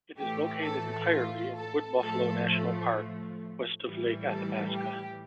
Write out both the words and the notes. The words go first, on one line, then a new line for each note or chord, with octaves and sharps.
It is located entirely in Wood Buffalo National Park, west of Lake Athabasca.
A2 E3 A3 G4
A4
F4
A4
A2 F3 A3 A4
A4
A2 E3 G3
A4
G4